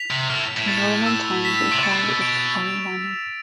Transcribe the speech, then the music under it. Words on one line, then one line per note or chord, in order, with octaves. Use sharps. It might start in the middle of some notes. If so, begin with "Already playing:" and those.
In Roman times, it coined its own money.
Already playing: B6 F7
C3
A2 F6
A2
A6 E7
E6
B6 E7
C3
B2 A6
D7 F7